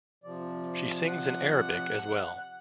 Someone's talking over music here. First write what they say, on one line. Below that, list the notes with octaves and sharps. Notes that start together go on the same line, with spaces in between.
She sings in Arabic as well.
C3 F3 D5
F#5